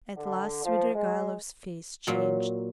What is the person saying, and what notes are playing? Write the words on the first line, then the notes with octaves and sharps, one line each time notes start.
At last Svidrigailov's face changed.
D3
F3
G#3
A#2 F#3